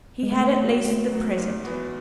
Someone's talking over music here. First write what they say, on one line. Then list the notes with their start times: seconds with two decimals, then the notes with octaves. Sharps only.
He had at least the present!
0.23 G#3
0.32 C#3 A3
0.59 F#3 B3 F#4
0.85 C#3 A3
1.11 F#3 B3 F#4
1.38 G#2
1.64 E3 B3 F#4